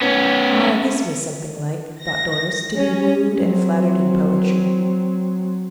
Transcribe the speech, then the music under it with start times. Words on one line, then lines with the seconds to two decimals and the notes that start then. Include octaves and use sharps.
Ah, this was something like, thought Doris, to be wooed and flattered in poetry.
0.01 B3 C#4
2.03 A#6
2.76 C#4
3.36 F#3 C4